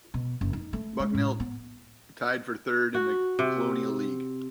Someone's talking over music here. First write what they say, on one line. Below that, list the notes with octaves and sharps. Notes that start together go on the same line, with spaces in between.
Bucknell tied for third in the Colonial League.
B2
F#1
D#4
A3
G#3
A2
B3
F#4
C3